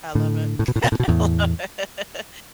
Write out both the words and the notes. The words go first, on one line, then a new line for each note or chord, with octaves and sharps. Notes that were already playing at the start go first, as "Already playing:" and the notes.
I love it. I love it.
A2 D3
A2
B2
A2
B2
A2
B2
E2 A2